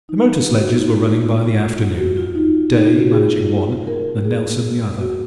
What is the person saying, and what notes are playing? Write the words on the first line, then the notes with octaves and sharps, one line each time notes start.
The motor sledges were running by the afternoon, Day managing one and Nelson the other.
D#4
F4
F#4
D#4
F4
D#4
F4
F#4
F4
D#4
D#4
F4
F#4
G#4
A#4
G#4
F#4